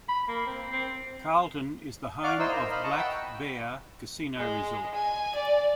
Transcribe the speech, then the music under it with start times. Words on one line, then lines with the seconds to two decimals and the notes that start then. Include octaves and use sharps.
Carlton is the home of Black Bear Casino Resort.
0.09 B5
0.28 A#3
0.46 C4
0.72 C4
2.23 D5 F5 F#5 C#6 D6 F6
2.39 D#4 E4 C5 D#5 E6
2.53 A#4 C5
2.71 D#5 F5 B5
2.83 D#5 A5 A#5 C#6
2.97 F#5 G5 B5 C#6 E6
4.37 G#3
4.94 G#5
5.35 D5